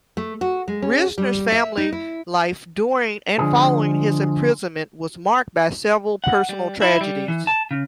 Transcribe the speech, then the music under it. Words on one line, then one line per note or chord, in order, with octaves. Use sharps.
Risner's family life during and following his imprisonment was marked by several personal tragedies.
A3
F#4
G#3
C#4
G3
E5
D#4
E4
D3 F3 G#3 G#4
F#5
G3
E4
G3
E3
A5
C#3